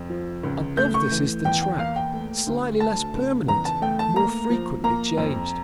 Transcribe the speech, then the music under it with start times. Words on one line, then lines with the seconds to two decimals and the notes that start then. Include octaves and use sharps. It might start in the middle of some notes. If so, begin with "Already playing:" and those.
Above this is the track, slightly less permanent, more frequently changed.
Already playing: F2
0.10 F3
0.43 C#2
0.77 A3 G6
0.94 C#6
1.11 E3
1.45 E2 G5
1.62 G5
1.79 A#3 F5
1.96 G5
2.13 A3
2.47 D2
2.80 A3 A5
3.14 C#2
3.48 E2 A#5
3.65 A5
3.82 A3 G5
3.99 A5
4.16 A#3 A#5
4.49 F3
4.84 A#3 A#5
5.18 F2